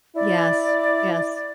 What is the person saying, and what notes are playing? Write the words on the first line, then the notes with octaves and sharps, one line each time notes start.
Yes, yes.
E4 D5